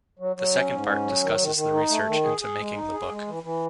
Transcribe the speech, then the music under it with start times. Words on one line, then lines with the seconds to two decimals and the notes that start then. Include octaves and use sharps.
The second part discusses the research into making the book.
0.19 F#3
0.36 F#3
0.54 C#4
0.71 G#2
0.87 C#4
1.04 F#3
1.22 D#3
1.39 D#3
1.56 D#3
1.73 D#4
1.90 A3
2.07 D#3
2.24 G#4
2.41 G#4
2.58 G#3
2.75 D#4
2.92 G#4
3.10 G#3
3.27 E3
3.43 E3